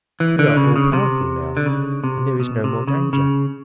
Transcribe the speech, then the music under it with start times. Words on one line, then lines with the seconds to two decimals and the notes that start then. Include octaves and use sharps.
We are all-powerful now, and there is no more danger.
0.20 E3
0.39 D3
0.57 C#3
0.76 C#3
0.93 C3
1.57 D3
1.66 C#3
2.04 C3
2.40 B2
2.64 C3
2.88 C#3
3.13 C#3